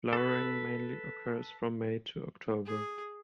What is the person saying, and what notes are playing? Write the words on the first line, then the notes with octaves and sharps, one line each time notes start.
Flowering mainly occurs from May to October.
A4 B4
G#4